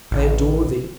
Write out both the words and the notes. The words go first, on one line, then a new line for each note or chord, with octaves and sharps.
I adore thee!
A1